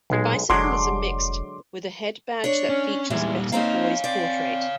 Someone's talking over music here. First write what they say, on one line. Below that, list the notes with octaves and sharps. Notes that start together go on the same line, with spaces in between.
The bicycle is a mixte with a headbadge that features Betty Foy's portrait.
B1 A#2 G#3
F1 D3 F#3 G#3 C6 D6
D4 C#5
C#4
E2 A#2 E3 G3 G#3
A#3 C4 D#4 C#5 F5
C4 D5